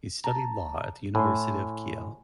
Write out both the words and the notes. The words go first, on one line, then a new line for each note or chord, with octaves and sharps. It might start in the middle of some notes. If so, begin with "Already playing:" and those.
He studied law at the University of Kiel.
A5 A#5
A2 G#5 C6